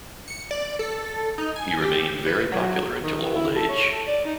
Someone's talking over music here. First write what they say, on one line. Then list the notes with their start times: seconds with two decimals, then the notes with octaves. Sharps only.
He remained very popular until old age.
0.28 C#7
0.51 D5
0.79 A4
1.38 D#4
1.56 G#5
1.82 G4
2.26 B4
2.52 F#3
3.03 D#3
3.22 E3
3.35 E4
3.56 A4
3.69 C#5
3.91 A4
4.07 D5
4.25 D#4